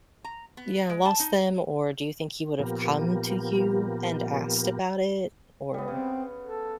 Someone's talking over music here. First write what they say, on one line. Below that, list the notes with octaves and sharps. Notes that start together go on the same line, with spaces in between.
Yeah, lost them, or do you think he would have come to you and asked about it? Or
A#5
B3
G#3
A5
D#4
A#2 F3 B3 G4 A#4
G3 B3
C#3 C4
A4